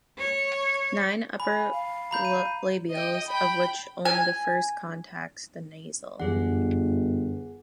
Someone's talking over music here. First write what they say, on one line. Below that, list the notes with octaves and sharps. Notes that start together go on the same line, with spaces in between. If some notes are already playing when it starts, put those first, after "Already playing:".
Nine upper labials, of which only the first contacts the nasal.
C#5
G#5 B5
F5
A#5 B5 G6
D#7
D#5 G5
G5 B5
G#5
G1 F#2 E3 G#4 F#5